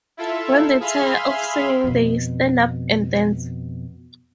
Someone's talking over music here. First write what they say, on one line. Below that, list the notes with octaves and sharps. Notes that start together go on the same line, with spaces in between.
When they tire of singing they stand up and dance.
E4 F4 A4 E5
G#4 E5 F5 B5 C6 F6
F2 B2